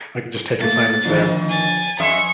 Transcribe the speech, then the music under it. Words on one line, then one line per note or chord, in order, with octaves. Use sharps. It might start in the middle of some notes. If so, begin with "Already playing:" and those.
I can just take assignments there,
A#2 A3 A#3 A6
A2 D3 D#3 F3 D4
G#5 A6
F2 E5 G#5 C6 C#6 D#6 C#7